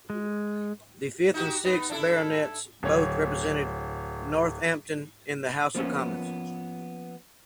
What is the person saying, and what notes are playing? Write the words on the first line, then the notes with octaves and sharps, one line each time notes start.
The fifth and sixth Baronets both represented Northampton in the House of Commons.
G#3
D#4 F#4 G4
B3 D#4
D4 E4 A4
D1 C#5
F3 A#3 B3 C#4